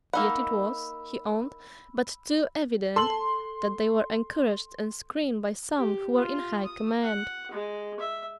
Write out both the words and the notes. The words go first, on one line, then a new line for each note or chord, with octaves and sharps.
Yet it was, he owned, but too evident that they were encouraged and screened by some who were in high command.
A#3 D#4 F#5 B5 E6
A4 C6 F#7
G4
F4
D#6
F#5
G#3
E5